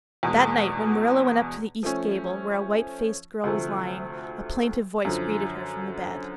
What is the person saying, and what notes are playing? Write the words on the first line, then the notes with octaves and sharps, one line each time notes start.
That night, when Marilla went up to the east gable, where a white-faced girl was lying, a plaintive voice greeted her from the bed.
E2 B2 G#3
F3 A3 C#4
D2 C3 F3 A3
F#2 D3 F3